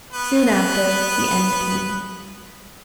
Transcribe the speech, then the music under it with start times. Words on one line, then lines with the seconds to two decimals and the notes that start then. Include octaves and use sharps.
Soon after, the end came.
0.13 B3 B4